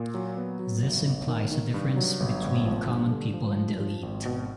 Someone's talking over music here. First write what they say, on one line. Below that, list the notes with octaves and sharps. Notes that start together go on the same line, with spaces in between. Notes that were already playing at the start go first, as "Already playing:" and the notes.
This implies a difference between common people and the elite.
Already playing: A#2
F#3
B3
F#3
G1
G1
D#3
D#3
G2
F#3
G1
G#1
F3
G2
D3
F3
F3
F3
G#1
B2